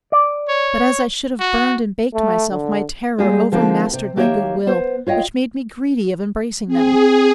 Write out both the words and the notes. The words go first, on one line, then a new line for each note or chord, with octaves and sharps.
But as I should have burned and baked myself, My terror overmastered my good will, Which made me greedy of embracing them.
D5
C#5
F#4
A3
D3
G3 G#3 A#3 G4 G#4
D3 F3 G#3 A#3 C4 D#4
C3
D#2 A#3 G4 A4 C#5 E5
B3 C5
F4 C#5 D#5 G5
C4 G#4